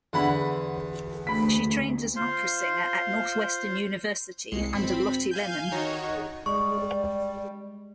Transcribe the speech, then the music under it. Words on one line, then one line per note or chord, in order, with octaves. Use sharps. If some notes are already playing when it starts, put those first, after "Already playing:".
She trained as an opera singer at Northwestern University under Lotte Lehmann.
E2 D3 F#5 B5
D2 B5 B6
F4 C5 F5 C6
C2 G#3 C7 C#7
G#1 C4 B5
F5 G#5 G6
D#3 D#4 F#4 C#5
G3 G#3 D5 C#6